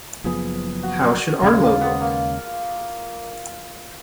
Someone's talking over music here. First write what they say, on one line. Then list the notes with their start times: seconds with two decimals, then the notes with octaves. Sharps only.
How should Arlo look?
0.24 F#1 F#2 F3 B3 G#4
0.83 F#4
1.42 D#2 C#3 G#3 C#4 F4
1.62 A#3
1.81 B3
2.01 A#3